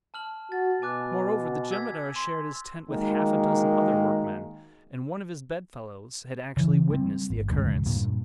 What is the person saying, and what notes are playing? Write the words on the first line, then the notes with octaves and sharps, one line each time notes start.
Moreover, the jemadar shared his tent with half a dozen other workmen, and one of his bedfellows had actually witnessed the occurrence.
A5 F6 F#7
F#4 A6
B2 G#5 D6 F#6
E6 G#6 B6
C6
D#3 G#3 A#3 F#4 A#4
C#3 E3
G3 G#3 C4
G#1
E1 D2 G#2 C#3
G2 A#2